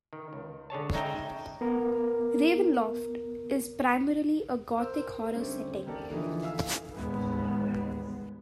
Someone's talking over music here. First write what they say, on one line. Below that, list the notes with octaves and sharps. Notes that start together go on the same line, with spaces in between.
"Ravenloft" is primarily a Gothic horror setting.
D#3
C#2
D3 G#4 C#5 A5
C#3 G#3 D#4 E5 G5 A#5
B3 A#4
A#4 C5 E6
D3 G3 A3 C4 C#4
D#3 A#3 G4 A4 A#4 D5
D3 E3 F3 D#4 E4
E5 F5 G#5 E6
A1 D#2 G3 G#3 B3